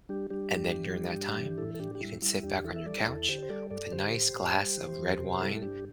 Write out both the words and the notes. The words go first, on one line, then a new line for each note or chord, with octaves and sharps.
And then during that time, you can sit back on your couch with a nice glass of red wine,
G3 D4 G4
G3 D4 G4
G2
E3
G3
G2
E3
A2 E4 A4
A4
A2 D4 G4
G4
G3 E4
G3 E4
E2 D4 G4
E3 E4 A4
E5
G3 A4 D5
E2 E4 A4
D3 G4 C5
C5
G3 A4 D5
G2 A4 D5
D3 G4 C5
A2
A2
G3
E3
E2
C3
G3 E4 A4
A4
G2 D4 G4